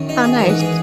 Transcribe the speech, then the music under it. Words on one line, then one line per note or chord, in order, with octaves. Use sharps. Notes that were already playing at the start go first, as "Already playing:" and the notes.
Aw, nice.
Already playing: F#2 D#3
D#4
G#4
G#2 E3 A#4
B4
G#4